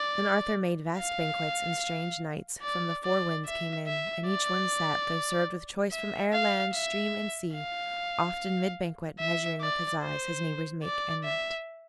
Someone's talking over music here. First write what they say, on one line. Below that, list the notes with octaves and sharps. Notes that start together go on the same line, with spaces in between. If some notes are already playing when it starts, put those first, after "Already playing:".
"Then Arthur made vast banquets, and strange knights From the four winds came in: and each one sat, Tho' served with choice from air, land, stream and sea, Oft in mid-banquet measuring with his eyes His neighbor's make and might."
Already playing: D5
F5
D5
D5
E5
E5
D5
E5
F5
E5
F5
E5
D5
C5
D5
E5